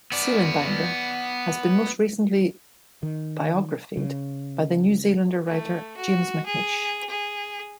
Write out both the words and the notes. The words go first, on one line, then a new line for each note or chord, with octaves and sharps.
Seelenbinder has been most recently biographied by the New Zealand writer James McNeish.
B3 D5
D#3
C#3
A3
F#4
G#4
G#4